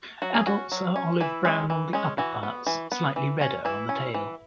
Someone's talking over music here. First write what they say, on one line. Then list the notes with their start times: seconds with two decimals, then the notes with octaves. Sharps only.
Adults are olive-brown on the upperparts, slightly redder on the tail.
0.22 F#3 F#4
0.35 G#4
0.46 C#4 F#4
0.72 F#3
0.96 C#4
1.20 E3 E4
1.45 G#3 C#4
1.70 E3
1.93 G#3 C#4
2.18 E3 F#4
2.43 B3
2.66 E3
2.92 B3
3.16 E3
3.41 C#4
3.65 E3 E4
3.89 C#4
4.14 E3